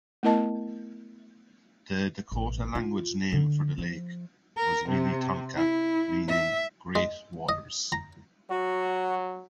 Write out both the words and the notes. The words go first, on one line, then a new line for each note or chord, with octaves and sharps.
The Dakota-language name for the lake was "Minnetonka", meaning "great waters".
A3 B3 E4 A#4 D#5 A5
A1
F4
D3
F3
A#4
C3
E4
E5
G#3
D#5
A#5
F#3 F#4